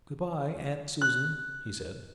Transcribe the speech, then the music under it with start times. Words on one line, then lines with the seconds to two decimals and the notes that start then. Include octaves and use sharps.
"Good-bye, Aunt Susan," he said.
1.01 F#6